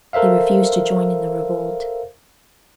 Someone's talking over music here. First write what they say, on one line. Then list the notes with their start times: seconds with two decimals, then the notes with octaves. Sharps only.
They refused to join in the revolt.
0.13 A4 A#4 C5 E5 F5